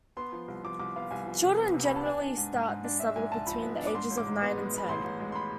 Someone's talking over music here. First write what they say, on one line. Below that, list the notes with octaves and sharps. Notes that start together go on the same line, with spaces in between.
Children generally start this level between the ages of nine and ten.
B3 C6
F3
C2
F3 D6
C2 D6
B3 F5
C2 G#5
F3
C3
B3
C3
B3 B5
A5
D4 G#5
D4
G#2
G#2
G#2
D4
D4 E5
G#2 G#5
G#2 A5
F3 B5
B3
D4
D6
G#2 C6
A1
D6
G#2
B3
G#3
B3 B5
A1 C6
A1
G#3
C6
B5